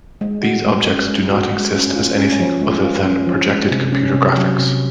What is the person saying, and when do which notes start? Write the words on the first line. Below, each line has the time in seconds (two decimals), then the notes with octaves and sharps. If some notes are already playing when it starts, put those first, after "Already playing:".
These objects do not exist as anything other than projected computer graphics.
0.21 G#3
0.43 F#4
0.65 G#3
0.87 C#4
1.08 G#3
1.30 F#4
1.52 G#3
1.74 C#4
1.96 F4
2.18 C#4
2.40 F3
2.61 G#3
2.83 F4
3.05 C#4
3.27 F3
3.49 G#3
3.71 C3
3.93 C#4
4.14 C3
4.37 F#3
4.58 C3